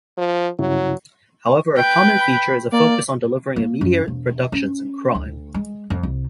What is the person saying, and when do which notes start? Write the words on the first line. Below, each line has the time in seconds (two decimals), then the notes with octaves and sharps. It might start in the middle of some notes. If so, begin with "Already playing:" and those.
However a common feature is a focus on delivering immediate reductions in crime.
0.17 F3
0.59 G2 C#3 F#3 E4
1.76 B4 G5
2.20 B5
2.72 A#3 D5
3.56 A#3
3.81 F#2
4.08 E1
4.52 C#4
5.15 D2
5.54 G#3
5.90 F2
6.03 C2